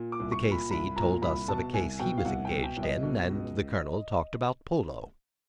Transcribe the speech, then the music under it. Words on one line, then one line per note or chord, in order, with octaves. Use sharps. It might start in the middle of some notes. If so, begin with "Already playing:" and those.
The K.C. told us of a case he was engaged in, and the Colonel talked about polo.
Already playing: A#2
D6
C2
C#6
A#2
B5
C2 B5
A#2 A#5
C2 B5
B2 A5
C2 G#5
B2 G5
F5
C2 F#5
G5
B2
G5
C2
D#5
B2
C#2